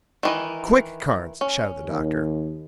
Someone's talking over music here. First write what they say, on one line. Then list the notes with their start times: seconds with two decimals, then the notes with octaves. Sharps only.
"Quick, Carnes!" shouted the doctor.
0.23 D#3 E3 D#5
1.41 C#4
1.84 D#2